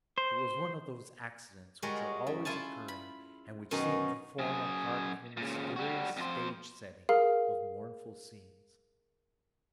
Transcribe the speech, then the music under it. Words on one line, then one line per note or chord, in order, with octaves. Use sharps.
It was one of those accidents which are always occurring, and which seem to form a part of the mysterious stage-setting of mournful scenes.
C5
G3 G#3 F#4 G#4 A#4 C#5
F#2
E4 F4 G#5 A5
B5
F#2 B2 D#3 C#4 D#4 D#5
F#2 G#4
A#2 C#3
G3 F#4
F2 C5
G#4 A#4 F5